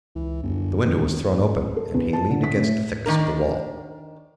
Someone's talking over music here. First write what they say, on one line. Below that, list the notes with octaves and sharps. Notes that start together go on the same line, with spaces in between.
The window was thrown open, and he leaned against the thickness of the wall.
C#2 E3
G1 F#2
E1 D#3
F#1 G#2
A4
E2
A5
D3
B6
A2
D#3 D4 A#4